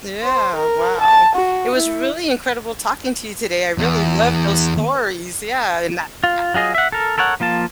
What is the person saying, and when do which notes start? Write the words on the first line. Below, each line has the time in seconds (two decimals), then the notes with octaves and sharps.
Yeah, wow. It was really incredible talking to you today, I really love those stories, yeah, and that tha
0.23 C5
0.55 A#4
1.00 A5
1.35 F#4
1.75 E4
3.78 E2
6.24 F4
6.54 F#3 F4 G#4 D#5
6.75 E5 F#5
6.92 A4 A#4
7.18 A4 A#4 C#5 F#5
7.40 F3 A#3 F4 A5